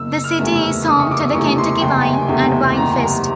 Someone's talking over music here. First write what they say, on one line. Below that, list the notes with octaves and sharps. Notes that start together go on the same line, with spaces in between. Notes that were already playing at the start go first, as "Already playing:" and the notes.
The city is home to the Kentucky Wine and Vine Fest.
Already playing: F#1 E6
E6
F6
E2 C3 E3 A3
E6
F#1 D#6
C#6
D6
E2 C3 E3 A3 C#6
C6
F#1 G5
G5
G#5
E2 C3 E3 A3
F#1 A#5